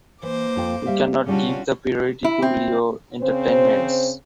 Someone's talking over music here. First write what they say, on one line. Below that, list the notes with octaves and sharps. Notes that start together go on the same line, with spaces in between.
We cannot give the priority to Lao entertainments.
E3 A#3 C5 D6
F2 F4 G5
G3 E5 F5
C#3 G3 C#4 D4 F4 F#4
E4
C4
C#3 C4 C5